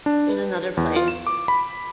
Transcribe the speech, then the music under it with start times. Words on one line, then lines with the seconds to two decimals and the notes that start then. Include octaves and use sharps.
in another place.
0.06 D4
0.29 B4
0.77 E2
0.96 F4
1.08 E7
1.27 D6
1.48 B5